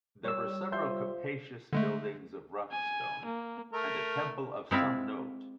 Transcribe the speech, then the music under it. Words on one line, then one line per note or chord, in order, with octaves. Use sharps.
There were several capacious buildings of rough stone...and a temple of some note.
G3 C#5 E6
F4 C5 E5 C6 G6
D3 G#3 A3
G#5
A#3
A3 A#4
G#3 C4 E4 F4